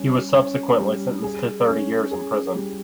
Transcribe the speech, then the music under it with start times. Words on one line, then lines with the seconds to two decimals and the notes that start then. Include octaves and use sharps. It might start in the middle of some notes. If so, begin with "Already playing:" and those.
He was subsequently sentenced to thirty years in prison.
Already playing: G3 C#4
0.34 C#4
0.78 G3
1.22 G#4
1.67 C#4
2.11 G#4
2.55 G3